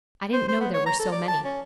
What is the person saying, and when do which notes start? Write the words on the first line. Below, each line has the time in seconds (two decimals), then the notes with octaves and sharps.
I didn't know there were so many.
0.33 C5
0.48 C5
0.60 B3
0.74 C#5
0.86 A#5
0.99 A4
1.12 D5
1.28 A5
1.45 C#4